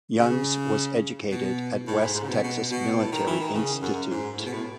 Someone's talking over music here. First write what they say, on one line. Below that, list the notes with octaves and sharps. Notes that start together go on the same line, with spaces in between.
Youngs was educated at West Texas Military Institute.
C#3
B2
A2
G#2
G#2
C#3
B2
B2
B2
A2
D#3
E3
D#3
C#3
F#2
G#2
A2
B2
A2